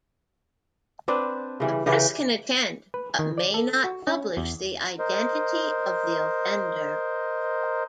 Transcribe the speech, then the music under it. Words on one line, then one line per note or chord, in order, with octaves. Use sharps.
The press can attend but may not publish the identity of the offender.
C4 D4 B4
C#3 E3 G3
C#3 E3 G4 B4
B4
D#3
D5
A4
F#4
C#4
E2
A#4 C5 D#5